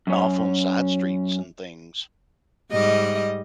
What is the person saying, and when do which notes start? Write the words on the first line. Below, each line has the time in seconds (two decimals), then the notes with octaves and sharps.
off on side streets and things,
0.07 F#2 C#4
2.71 G#2 G3 D#5